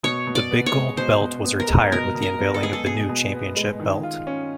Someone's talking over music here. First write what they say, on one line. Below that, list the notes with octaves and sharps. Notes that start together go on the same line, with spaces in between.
The Big Gold Belt was retired with the unveiling of the new championship belt.
B2 C#5
B2
D5
B3
C#5
G#3
B2 C5
B2
B3
A#4
G#3
B2 A#4
B2
A#4
B3
A4
G#3 G#4
A4
B2 G#4
B2
B3
G#3
D#3
F4
C#4